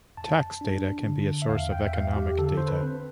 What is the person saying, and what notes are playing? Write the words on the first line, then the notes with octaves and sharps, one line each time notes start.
Tax data can be a source of economic data.
F2 A5
D4
D3
E5
E2 F5
G5
E5
E2 F5
G4
D3 A4
C5
B4
C4